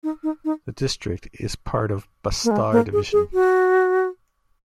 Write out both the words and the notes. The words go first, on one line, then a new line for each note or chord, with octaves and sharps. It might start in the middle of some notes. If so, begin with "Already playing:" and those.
The district is part of Bastar Division.
D#4
D#4
D#4
A#3
G#3
A#3
G#4
G#4
F#4